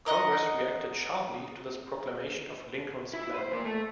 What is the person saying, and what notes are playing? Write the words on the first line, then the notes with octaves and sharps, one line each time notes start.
Congress reacted sharply to this proclamation of Lincoln's plan.
A#4 D#5 F#5
E4
B4 C5
A#2 A#3
A3